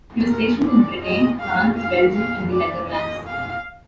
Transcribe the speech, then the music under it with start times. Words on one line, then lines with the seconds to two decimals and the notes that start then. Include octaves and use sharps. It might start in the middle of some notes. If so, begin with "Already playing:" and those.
He was stationed in Britain, France, Belgium and the Netherlands.
0.28 A#4
0.65 D5
1.03 D#5
1.40 F5
1.78 F5
2.15 F5
2.53 D5
2.90 D#5
3.28 F5